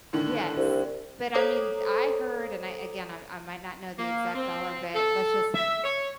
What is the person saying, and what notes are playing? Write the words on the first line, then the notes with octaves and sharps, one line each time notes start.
Yes, but, I mean, th I heard, and I again, I I might not know the exact dollar, but let's just,
A2 D3 D#3
C2
A4 C5 C#5 A#5 D6 D#6
A#3
C4
A4
E5
C#5